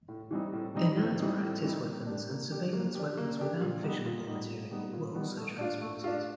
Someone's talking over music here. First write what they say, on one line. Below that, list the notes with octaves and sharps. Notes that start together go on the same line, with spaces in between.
Inert practice weapons and surveillance weapons without fissionable material were also transported.
A2
E3 G3 C4 D#4
A2
E3 G3 C4 D#4
A2
E3 G3 C4 D#4
A2
E3 G3 C4 D#4
A#3
D4 G4
A#3
D4 G4
A#3
D4 G4
A#3
D4 G4
A#2
G3 B3 D#4
A#2
G3 B3 D#4
A#2
G3 B3 D#4
A#2
G3 B3 D#4
A3
D4 F4
A3
D4 F4